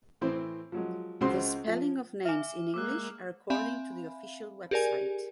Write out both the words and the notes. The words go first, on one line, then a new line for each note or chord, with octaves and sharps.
The spelling of names in English are according to the official website.
A2 E3 C4 C5
F3 F#3 G#3
C#2 G#3 C4 F#4 C5 C6
F3
E5 G#5 D6 F6
G#3 A#3 D6 E6 F#6
C4 E5 F5 G#5 B5
G4 G#4 A#4 D5 G#5